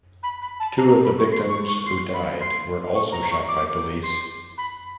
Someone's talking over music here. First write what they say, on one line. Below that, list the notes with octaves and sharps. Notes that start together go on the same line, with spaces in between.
Two of the victims who died were also shot by police.
B5
B5
A5
A#5
B5
C#6
C6
C#6
C#6
C6
B5
C6
C#6
A#5
C#6
D6
C6
B5